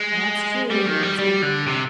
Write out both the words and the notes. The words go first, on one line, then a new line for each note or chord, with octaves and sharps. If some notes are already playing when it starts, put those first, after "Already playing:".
"That's true," he answered.
Already playing: G#3
G3
D#3
G3
G3
D3
C3